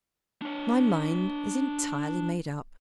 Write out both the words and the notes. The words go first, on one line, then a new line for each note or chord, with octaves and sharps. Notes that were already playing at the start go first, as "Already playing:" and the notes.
My mind is entirely made up.
D4 C#5